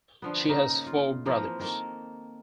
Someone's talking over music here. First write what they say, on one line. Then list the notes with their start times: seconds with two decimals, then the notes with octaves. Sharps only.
She has four brothers.
0.22 D3 F3 B3
0.48 C#3 A#3 D#4
0.86 F4
1.26 E3 F3 A#3 C4
1.60 D#3 A#3 A4